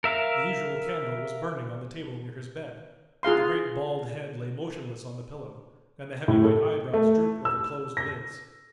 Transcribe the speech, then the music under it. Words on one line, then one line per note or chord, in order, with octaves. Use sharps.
The usual candle was burning on the table near his bed, but the great bald head lay motionless on the pillow, and the heavy white eyebrows drooped over closed lids.
A#4 E5 F5
F4 G#4 F5 C6
A2
A4
A3
E6
A#6